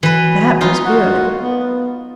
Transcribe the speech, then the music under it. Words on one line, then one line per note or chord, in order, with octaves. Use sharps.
That was good.
E3 F#3 B4
D#4 F4
F#4
B3